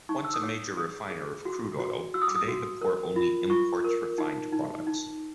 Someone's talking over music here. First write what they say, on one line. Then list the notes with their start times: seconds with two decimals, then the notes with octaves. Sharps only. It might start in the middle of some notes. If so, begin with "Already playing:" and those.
Once a major refiner of crude oil, today the port only imports refined products.
0.09 D#4 C#6
0.25 E6
0.34 D#6
0.42 C#5 D6
0.77 G#4 D#6
1.11 G#4
1.45 F#4
1.79 F#4
2.14 F#4 E6
2.22 D#6
2.28 D6
2.35 D#6
2.48 F#4
2.82 A#4
3.16 F4
3.50 F4 C#6
3.84 A#4
4.18 D#4
4.53 D#4
4.87 D#4